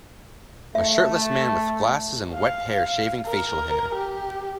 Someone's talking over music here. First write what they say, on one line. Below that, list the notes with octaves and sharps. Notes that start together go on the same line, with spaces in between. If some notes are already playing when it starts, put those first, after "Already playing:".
A shirtless man with glasses and wet hair shaving facial hair.
A3 E5
F5
A#4
G4